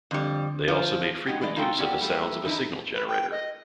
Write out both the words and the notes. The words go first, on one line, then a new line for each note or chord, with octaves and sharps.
They also made frequent use of the sounds of a signal generator.
F2 D3 G3
F3
G#3 C#4 D#4 F#4 G4
E3 G#3 D5 D#5
G#3 D#4 F4 F#4 A4 G5
A#3 C#4 F#4 G4 D5 G5
G3 A3 A#3 G4
E2 D#4 E4
B4
G5
D#5